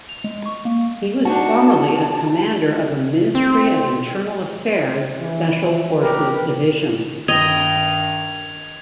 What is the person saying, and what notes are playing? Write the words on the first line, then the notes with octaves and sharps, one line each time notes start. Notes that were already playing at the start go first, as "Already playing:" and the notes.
He was formerly a commander of a Ministry of Internal Affairs Special Forces division.
F7
G#3
C#6
A#3
D4 D#4 F#4 A5
C4
E3
A#1 G4 A#4 B4
G2 D#3 D#5 G#6 F7 G7